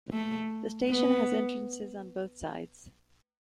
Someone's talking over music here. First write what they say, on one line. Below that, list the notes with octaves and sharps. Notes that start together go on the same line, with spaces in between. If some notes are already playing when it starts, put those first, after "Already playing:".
The station has entrances on both sides.
A3
B3